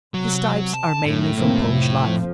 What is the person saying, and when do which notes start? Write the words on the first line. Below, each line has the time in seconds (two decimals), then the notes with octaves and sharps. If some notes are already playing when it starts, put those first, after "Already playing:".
His types are mainly from Polish life.
0.14 C3 F#3
0.74 A5
1.06 F#2 A2
1.36 F1 A#3 C4
1.69 C3 F3
2.00 F2 F3